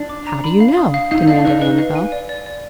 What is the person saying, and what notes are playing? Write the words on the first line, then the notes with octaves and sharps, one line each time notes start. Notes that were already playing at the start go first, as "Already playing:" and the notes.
"How do you know?" demanded Annabel.
Already playing: D4
D6
A#5
B5
F5
D#6
F5
D#4 F5
D#4
D4 F5
D#4 B4
D#4 B4
F5
G#5
D5
D5
D5